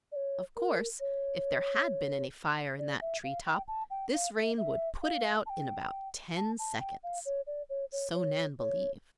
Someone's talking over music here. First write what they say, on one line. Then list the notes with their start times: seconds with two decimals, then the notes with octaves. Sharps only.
Of course, if there had been any fire in that tree-top, this rain would put it out in about ten seconds. So Nan believed.
0.12 D5
0.16 C#5
0.56 A#4
1.00 C#5
2.79 D5
3.01 E5
3.24 F5
3.46 G5
3.68 A5
3.90 G5
4.13 F5
4.35 E5
4.58 E5
5.02 F5
5.46 A5
5.50 G5
6.36 A5
6.59 A5
6.80 G5
7.03 F5
7.25 C#5
7.47 D5
7.69 C#5
7.92 C#5
8.14 C#5
8.59 C#5